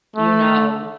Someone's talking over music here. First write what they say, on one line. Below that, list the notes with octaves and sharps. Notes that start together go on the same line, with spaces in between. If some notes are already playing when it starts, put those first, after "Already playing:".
you know,
A3